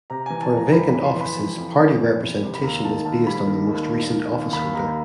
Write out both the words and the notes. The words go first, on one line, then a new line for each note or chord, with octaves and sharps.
For vacant offices, party representation is based on the most recent officeholder.
C3 A#5
E3 G#5
A5
F2 A#5
F2 B5
B5
E3
C6
E3
B5
F2
F2
E3
F2
E3
C3
B5
D#2 A#5
D#3 A5
D#2 A5
G3 B5
D#3
D#2
D#3
D#3
D#2
D#2 B5
D#2 A#5